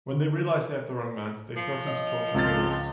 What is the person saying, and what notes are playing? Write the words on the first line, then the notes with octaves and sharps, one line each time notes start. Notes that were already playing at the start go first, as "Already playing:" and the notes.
When they realise they have the wrong man, they threaten to torture Phyllis.
D3
F3
C#5 D#5
C#2 C4 F4 A6